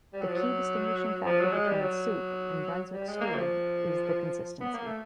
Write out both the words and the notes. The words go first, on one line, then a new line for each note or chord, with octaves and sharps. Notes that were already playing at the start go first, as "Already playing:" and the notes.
The key distinguishing factor between soup and Brunswick stew is the consistency.
G3
F#3
F3
F#3
F3
F#3
G#3
G3
F#3
G3
G#3
A#3
F3
B3
A#3
A3